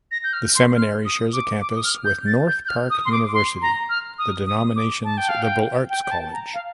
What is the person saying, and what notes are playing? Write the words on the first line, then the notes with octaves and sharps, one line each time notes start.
The seminary shares a campus with North Park University, the denomination's liberal arts college.
A#6
G6
F6
C6
F6
D#6
D6
D6
D#6
F6
G6
A6
G6
G6
F6
D#6
C6
D6
C6
A#5
F6
D#6
D#6
D6
A5
G5
F5
G5
G5
G5
A5
A#5
F5